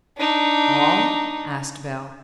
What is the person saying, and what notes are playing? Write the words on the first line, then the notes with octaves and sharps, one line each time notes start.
"All?" asked Bell.
D4 D#4